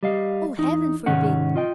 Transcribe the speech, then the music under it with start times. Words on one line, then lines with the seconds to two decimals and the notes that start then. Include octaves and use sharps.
Oh, heaven forbid!
0.03 G3 D#5 F5
0.58 E2 D#4
1.06 C2 G#2 D#3 C#4 F#5
1.56 F4 D#5 G5